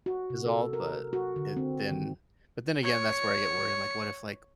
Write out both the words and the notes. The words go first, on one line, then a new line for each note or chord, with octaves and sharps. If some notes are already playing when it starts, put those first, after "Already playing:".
is all, but it then, but then again, that's where I get worried. I'm like, what if, like
F#4
C3
A4
A#4
F#4
D3
C4
D#3
C#5 C#7